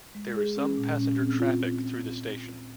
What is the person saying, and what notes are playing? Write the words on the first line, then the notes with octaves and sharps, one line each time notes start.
There is some passenger traffic through the station.
G#3
G#4
C#4
A#2
C#4
C4
F4
F4